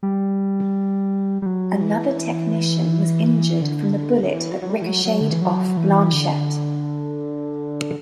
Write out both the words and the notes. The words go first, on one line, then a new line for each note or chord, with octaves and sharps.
Another technician was injured from the bullet that ricocheted off Blanchette.
G3
G3
F#3
E3
D3
D3
E3
F#3
F#3
G3
E3
F#3
F#3
D3
E3
F#3
E3
D3